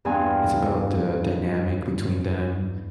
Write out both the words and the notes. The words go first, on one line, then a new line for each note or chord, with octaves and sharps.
it's about the dynamic between them,
E2 G2 C4 F5 G#5 A#5